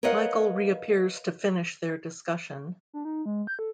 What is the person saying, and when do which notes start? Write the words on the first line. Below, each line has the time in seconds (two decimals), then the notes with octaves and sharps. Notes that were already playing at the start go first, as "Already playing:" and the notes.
Michael reappears to finish their discussion.
0.03 A#4 B4 C#5 D#5 F5 F#5
2.94 D4
3.05 D#4
3.26 G#3
3.47 G6
3.59 A4